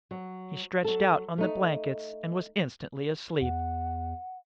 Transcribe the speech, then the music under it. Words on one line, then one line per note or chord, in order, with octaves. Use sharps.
He stretched out on the blankets and was instantly asleep.
F#3
F#3 A4
A3 D#4
E2 F#5